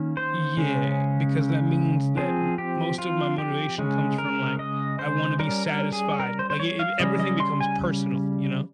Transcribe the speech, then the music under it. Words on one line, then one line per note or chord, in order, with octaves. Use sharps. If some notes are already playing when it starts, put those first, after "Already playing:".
Yeah, because that means that m most of my motivation comes from, like, "I wanna be satisfied." Like, i if everything becomes personal, you know?
Already playing: D#3 A#3 C#4
C5
C#3 G#3 C#4
F3 C4 G#4
G4
F4
G4
C#3 G#3 C#4
A#4
D#5
C5
G3 C#4 A#4
A#4
G#4
A#4
C5
C5
C#5
F5
C#3 G3 C#4 D#5
D#5
C6
G#5